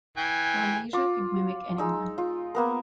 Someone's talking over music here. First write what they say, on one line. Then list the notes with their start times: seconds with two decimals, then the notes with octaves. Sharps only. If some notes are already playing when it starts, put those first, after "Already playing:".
Polynesia could mimic any one.
0.17 E3 G5 G#5
0.93 F4 D6
1.78 G#3 D#4 E6
2.18 F4
2.55 A#3 B3 A#4